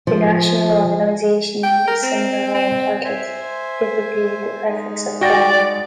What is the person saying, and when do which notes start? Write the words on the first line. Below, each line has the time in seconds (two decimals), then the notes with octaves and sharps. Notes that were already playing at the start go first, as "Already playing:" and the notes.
The national organization uses similar Roman titles, typically with the prefix of "Grand".
0.07 F3
1.63 G5
1.88 A#4
2.03 C4
2.54 C4
3.05 C5 E5 G#5
4.69 G#3 D#4
5.21 F#4 D5 G5 A#6